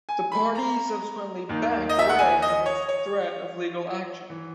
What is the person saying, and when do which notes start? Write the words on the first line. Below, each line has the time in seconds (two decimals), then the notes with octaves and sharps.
The party subsequently backed away from its threat of legal action.
0.09 G#5
0.32 B5
0.55 A#5
1.49 D#2 D#3 A#3
1.89 D#5
1.99 E5
2.09 F#5
2.19 G#5
2.42 D#5
2.66 C#5
2.88 C#5
4.30 E3